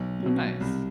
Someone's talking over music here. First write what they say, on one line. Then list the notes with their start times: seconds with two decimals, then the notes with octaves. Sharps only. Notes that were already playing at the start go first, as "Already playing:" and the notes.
Oh nice.
Already playing: B1
0.23 B2 F#3
0.61 C2